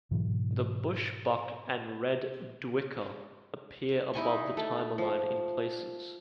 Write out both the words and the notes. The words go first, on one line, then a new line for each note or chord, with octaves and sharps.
The bushbuck and red duiker appear above the timerline in places.
G#2 B2 E3 F#3
D#4 E4 G#5 C#6
A3
F3